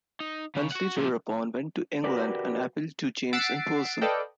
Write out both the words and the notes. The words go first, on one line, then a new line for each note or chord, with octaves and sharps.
Huntly thereupon went to England and appealed to James in person.
D#4
C#3
F#4 F#5
A#2 F3
F#4 G4 A#4 B4 D5
F#5 E6 A6 B6 C7 D7
A4 B4 D5 D#5 F5 G5